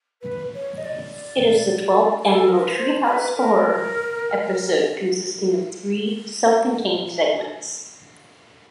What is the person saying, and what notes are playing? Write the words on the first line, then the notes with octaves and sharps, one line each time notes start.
It is the twelfth annual "Treehouse of Horror" episode, consisting of three self-contained segments.
B4
C#5
D#5
D5
G#4
A4
A#4
B4
C5
B4
A#4